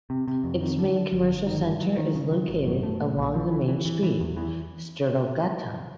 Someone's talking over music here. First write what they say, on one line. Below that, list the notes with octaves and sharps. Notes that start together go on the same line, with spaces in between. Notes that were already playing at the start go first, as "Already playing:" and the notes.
Its main commercial center is located along the main street, Storgatan.
C3
C3
F2
D#3
D3
D3
G1
G1
D#3
G2
F#3
D#3
C#3
F#3
G#1
F#2
A3
A#2
B1
F3
E3
E3
E3
E3
E2
E3